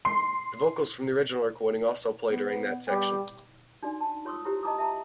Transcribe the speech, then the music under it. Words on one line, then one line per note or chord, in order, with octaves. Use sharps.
The vocals from the original recording also play during that section.
C6
B3
G3 B3 G4
D4 D#4 F#4 D5
A5
F4 C#5 C6 C#6 D#6 E6
E4 F#4 G4 C5 C#5
D#5 A5 A#5 D6 D#6
E5 A5 A#5